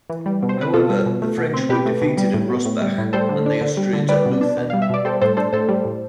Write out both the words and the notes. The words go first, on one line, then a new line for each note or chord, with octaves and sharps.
However, the French were defeated at Rossbach and the Austrians at Leuthen.
E3
G3
B2
C5
C4 B4
B2 F4 A4
G3
B2
A3
B2
C4
B2 G4 B4
A3
B2
G3
A2
B3
A2
G3
A2
G3 A4 C5
D3
D4
D3
G3
D3
G3 B4 D5
B2
D4
B2
G3 F5
E5
B2 D5
G3 A4 C5
A2 A4 C5
D4 A4 C5
A2 A4 C5
G3
A2